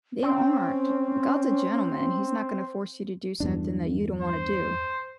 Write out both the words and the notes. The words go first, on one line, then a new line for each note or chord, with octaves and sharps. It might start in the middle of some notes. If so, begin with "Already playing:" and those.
They aren't. God's a gentleman, he's not gonna force you to do something that you don't wanna do.
C4 C#4
E2 G2 D4
C5